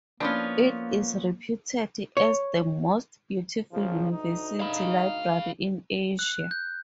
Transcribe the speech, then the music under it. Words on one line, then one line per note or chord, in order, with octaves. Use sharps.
It is reputed as "the most beautiful university library in Asia".
F3 A#3 B3 C#4 D4 E4 F4
C#5
A#1 C#3 F3
D2 D#4
F5 B5
F#6
G6